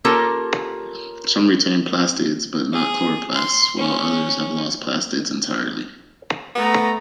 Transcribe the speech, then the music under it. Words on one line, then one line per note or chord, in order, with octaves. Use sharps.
Some retain plastids, but not chloroplasts, while others have lost plastids entirely.
A#3 C#4 F4 G4 A4 A#4
G#4
C6
C#4
A3 B3 A#5